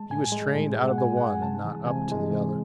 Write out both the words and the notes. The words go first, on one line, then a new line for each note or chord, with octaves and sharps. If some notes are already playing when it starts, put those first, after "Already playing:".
He was trained out of the one and not up to the other.
Already playing: G#3 A5
A2 G#5
G#3
A2
G#3
F#5
A2 G#5
G#3 F#5
G#5
C3 A5
E3 G#3
C3 G#5
E3 G#3
C3